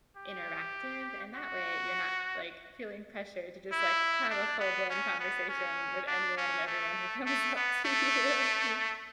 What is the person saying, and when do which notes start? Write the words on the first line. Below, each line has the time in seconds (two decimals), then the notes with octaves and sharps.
interactive, and that way, you're not, like, feeling pressured to just, like, have a full blown conversation with anyone and everyone who comes up to you you.
0.17 G4
1.35 F#4
3.72 E4
4.30 D4
4.60 B3
4.90 C#4
5.20 B3
5.49 C#4
6.07 D4
6.37 C#4
6.67 A3
7.26 A3
7.56 B3
7.85 A3